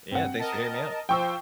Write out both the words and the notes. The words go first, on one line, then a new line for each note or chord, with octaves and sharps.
Yeah, thanks for hearing me out.
G2 C4 F#5
A#4 D#5 A5
F3 C5 G5 C#6 E6